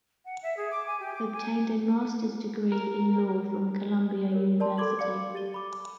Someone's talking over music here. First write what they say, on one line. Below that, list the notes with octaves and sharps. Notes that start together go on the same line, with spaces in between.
Obtained a master's degree in law from Columbia University.
F#5
E5
G#4
D6
G#5
G4
D6
G#5
A#4
A#4 C#5
A#4 D5 A5 C6
A4 B5 C6 D6 G#6 F#7
D5 F5 D6 C#7
G4 A6 D#7 G7
B5 D6